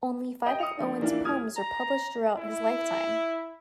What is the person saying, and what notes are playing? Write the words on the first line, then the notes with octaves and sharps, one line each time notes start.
Only five of Owen's poems were published throughout his lifetime.
D#5 G5
D#6 C#7 F7
F3 A#3 D4
E3 A#3 D4 E4 F4
D#1 E4 D#6 F6 G#6
A#5
E4